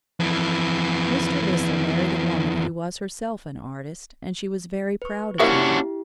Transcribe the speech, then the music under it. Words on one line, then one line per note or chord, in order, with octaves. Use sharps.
Mr. Whistler married a woman who was herself an artist, and she was very proud of him.
F2 E3
B4 C#6
F3 A#3 C#4 D4 E4 F#4 G4 E5